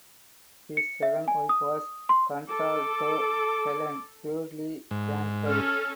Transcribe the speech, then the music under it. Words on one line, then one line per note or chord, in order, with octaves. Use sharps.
His second wife was contralto Helen Dudley Campbell.
C#7
E5
G#5
D#6
C6
A4 D6
G#2
C#4 A4 F6